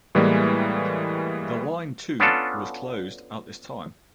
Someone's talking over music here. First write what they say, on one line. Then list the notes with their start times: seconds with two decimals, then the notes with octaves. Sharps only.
The line to was closed at this time.
0.15 A2 E3 G3 G#3 A#3
2.20 B3 C#4 D4 F4 A4